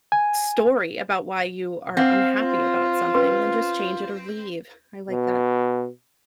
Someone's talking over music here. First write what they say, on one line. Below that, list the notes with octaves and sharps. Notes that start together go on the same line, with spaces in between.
story about why you are unhappy about something, then just change it or leave. I like that
G#5
C4 F5 F#5
F4
C#4 B4 C6
B2